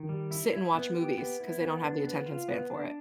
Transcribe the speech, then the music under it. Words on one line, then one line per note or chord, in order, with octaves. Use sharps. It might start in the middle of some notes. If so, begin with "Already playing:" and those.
sit and watch movies, 'cause they don't have the attention span for it.
Already playing: D#3
G3
E4
E4
B3
G4
B3
E4
B3
D4
B3
F4
B3
D4